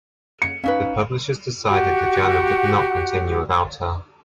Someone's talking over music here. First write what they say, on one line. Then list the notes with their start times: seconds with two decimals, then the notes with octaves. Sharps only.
The publishers decided the journal could not continue without her.
0.42 C#7
0.64 C#4 D#4 B4 F5
1.69 F#4 G4 F#5